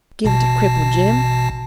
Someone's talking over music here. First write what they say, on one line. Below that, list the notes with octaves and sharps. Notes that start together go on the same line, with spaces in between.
"Give it to cripple Jim."
A1 B2 A5